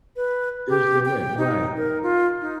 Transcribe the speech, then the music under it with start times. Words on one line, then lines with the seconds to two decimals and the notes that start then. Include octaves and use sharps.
There's no way. Right.
0.16 B4
0.69 G4
1.06 G5
1.37 D#4
1.77 A#4
2.03 F4
2.41 D#4